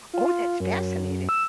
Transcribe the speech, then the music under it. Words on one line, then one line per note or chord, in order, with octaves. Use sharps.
Oh, that's fascinating.
F4
F#2
E6